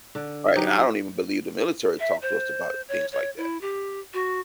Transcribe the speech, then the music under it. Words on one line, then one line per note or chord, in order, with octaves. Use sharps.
right? And I don't even believe the military talked to us about things like that
D3
F#3 D#4 G4
E5
C5
C#5
C#5
E4
G4
F#4